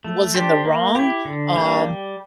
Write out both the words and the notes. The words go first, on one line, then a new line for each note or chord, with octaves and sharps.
was in the wrong, um,
A3
D4 G4 C5
A#3
E4 G4
D3
G3 A#3 D4
G3